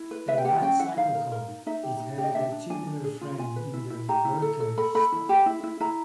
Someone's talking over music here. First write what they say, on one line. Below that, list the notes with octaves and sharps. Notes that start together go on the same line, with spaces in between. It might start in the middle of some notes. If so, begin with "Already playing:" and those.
A light cyclecar, it had a tubular frame in the "birdcage" style.
Already playing: E4
B4
B4 E5
G5
G4 F#5
C#4 G5
E4 F#5
D#4 F5
A#4
A#4
D#4
D#4 E5
G4
D#4
G4
D#5
D4 E5
D4
D4 G#5
D4
G#4
F4
F4 G#5
B4
E4
E4
G4 A#5
E4
A4
A4
A4 B5
A4 B5
E4
G4
E4
E4
E4 A#5